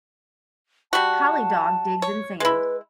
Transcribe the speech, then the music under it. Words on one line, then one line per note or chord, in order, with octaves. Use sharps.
Collie dog digs in sand.
G3 F#4 A5
C#5
G#3 E4 B4